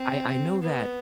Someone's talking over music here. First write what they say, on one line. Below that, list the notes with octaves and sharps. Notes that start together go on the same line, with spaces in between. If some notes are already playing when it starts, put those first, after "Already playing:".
I I know that,
Already playing: C4
B3